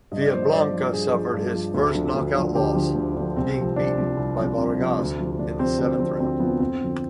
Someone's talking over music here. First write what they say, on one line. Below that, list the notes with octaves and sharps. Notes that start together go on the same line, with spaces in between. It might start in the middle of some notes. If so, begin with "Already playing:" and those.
Villablanca suffered his first knockout loss, being beaten by Vargas in the seventh round.
G2 D#5
D5
F3 C5
D#5
G2 D5
F3
G2 G#4
F3
G2
F3
D2
D3 F3
D2
D3 F3
D2 G4
D3 F3
D2
D3 F3
C2 C4
C3 F3
C2 D4
C3 F3
C2
C3 F3
C2
C3 F3
D2
C3 F3
D2 D4
C3 F3 C4
D2 C4
C3 F3 C4
D2 C4
C3 F3 B3
F2 C4
D3 F3